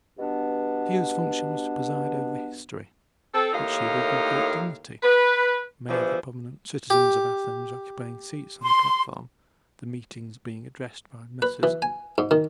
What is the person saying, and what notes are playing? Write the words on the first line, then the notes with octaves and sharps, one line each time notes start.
Clio's function was to preside over history--which she did with great dignity, many of the prominent citizens of Athens occupying seats on the platform, the meetings being addressed by Messrs.
G2 B2 B3 D4
C4 A4
D#2 A2 D#4 A#4 F5
B4
E2 G2 E3 F3
G4
C6
B4
E3
G#5
G#2
D#3